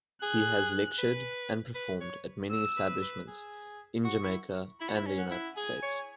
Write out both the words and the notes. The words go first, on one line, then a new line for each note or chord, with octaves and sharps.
He has lectured and performed at many establishments in Jamaica and the United States.
G#4 F#6
B4
B4
C#5
E6
B4
B4
G#4
F#4 C#6
E4
E4 B5
F#4
E4
C#4
F#5
E4
G#4 G#5
C#5